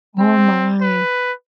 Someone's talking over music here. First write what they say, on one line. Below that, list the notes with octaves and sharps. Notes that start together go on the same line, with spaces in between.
Oh my.
C4
B4